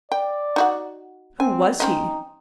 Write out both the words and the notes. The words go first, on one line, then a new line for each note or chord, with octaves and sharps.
Who was he?
D5 G5
D#4 F#4 F#5
C4 G#5
C4 C#4 D#4 D#5